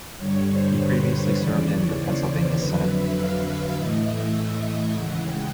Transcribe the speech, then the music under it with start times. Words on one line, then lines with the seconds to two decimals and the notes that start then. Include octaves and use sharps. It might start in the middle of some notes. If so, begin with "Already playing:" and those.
He previously served in the Pennsylvania Senate.
0.18 G2 D3 G3 C#5
0.47 C5
0.78 B4
1.37 D#2 C#3 E3 D5
1.67 C#5
1.97 C5
2.55 F2 D3 F#3 B4
2.86 E5
3.15 F5
3.45 E5
3.74 A2 E3 A3 D#5
4.04 E5
4.93 D#2 C#3 E3 G#3 F#5
5.23 G5